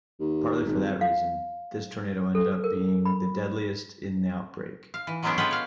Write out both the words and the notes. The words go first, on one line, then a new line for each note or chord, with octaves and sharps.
Partly for that reason, this tornado ended up being the deadliest in the outbreak.
D#2
G#1
F5
A4
A#4
B5
F5
E3
F#3 G#3 A#3 B3 C#4 D4
G#3 F4 A4 B4 F#5 G5
C#5 F5